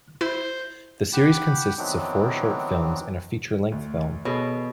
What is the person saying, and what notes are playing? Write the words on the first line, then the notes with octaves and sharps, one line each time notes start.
The series consists of four short films and a feature-length film.
E4 C5
G4 F#5 G5 B5 D6
D#3 E3 F#3 B3 C4 D4
D2
B2 G#4 A4 C#5